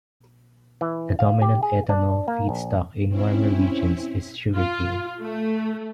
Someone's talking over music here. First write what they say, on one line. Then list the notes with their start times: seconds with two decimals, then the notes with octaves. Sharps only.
The dominant ethanol feedstock in warmer regions is sugarcane.
0.81 E3
1.19 F5
1.42 G4
1.63 G#4
1.89 D4
2.28 A#3
2.49 A#1
3.09 C4 C#4 E4
4.56 F4
5.21 A3